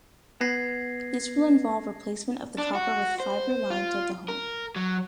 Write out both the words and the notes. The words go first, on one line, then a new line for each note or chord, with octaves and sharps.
This will involve replacement of the copper with fibre line to the home.
B3 G#6 A#6 C7
D4
F#4
C5
F4
A#4
F#3